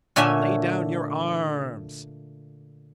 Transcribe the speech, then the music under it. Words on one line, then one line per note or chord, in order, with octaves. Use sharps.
"Lay down your arms!"
A#2 D3 A3 C#5 E5 G#5